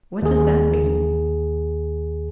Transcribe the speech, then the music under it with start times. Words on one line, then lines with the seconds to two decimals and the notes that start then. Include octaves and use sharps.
"What does that mean?"
0.22 D#2 G#4